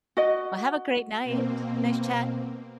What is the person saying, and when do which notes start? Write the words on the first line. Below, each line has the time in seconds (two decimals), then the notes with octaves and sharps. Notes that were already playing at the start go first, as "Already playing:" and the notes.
Well, have a great night. Nice chat.
0.17 F#4 D#5
1.23 B2 A#3 C4